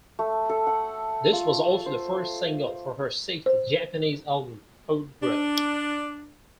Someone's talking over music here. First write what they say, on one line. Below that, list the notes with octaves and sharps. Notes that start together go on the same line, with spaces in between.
This was also the first single for her sixth Japanese album, Outgrow.
A3
A4
F#5
F4
C5
C5
D4